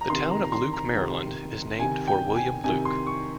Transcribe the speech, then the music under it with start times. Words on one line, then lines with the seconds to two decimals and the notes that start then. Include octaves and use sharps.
The town of Luke, Maryland is named for William Luke.
0.01 A#5
0.09 C3 D#3 C6
0.31 A#5
0.44 A#5
0.52 C6
0.73 A#5
0.94 C3 D#3
1.79 C3 D#3 G#5
2.07 G5
2.36 G#5
2.64 C3 D#3 G#5
2.85 C6
3.07 C#6